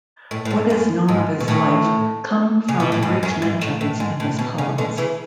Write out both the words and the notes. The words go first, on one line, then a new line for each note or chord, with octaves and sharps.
What is known of his life come from brief mentions in his poems.
A2
A2
G#2
F#2
G#2
B2
A2
C#3
B2
A2
G#2
F#2
G#2
A2
A2
G#2
A2
B2
C#3
B2 D3
C#3 E3